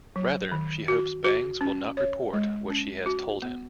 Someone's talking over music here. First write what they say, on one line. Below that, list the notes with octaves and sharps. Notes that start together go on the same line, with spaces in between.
Rather, she hopes Bangs will not report what she has told him.
F#3
D#3
F#4
F#4
C#4
C#5
G#3
C#4
F#4
B3